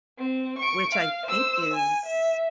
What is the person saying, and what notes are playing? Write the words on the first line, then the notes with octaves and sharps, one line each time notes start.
Which I think is
C4
C#6 D7
F5
C5 E6
G#5
E5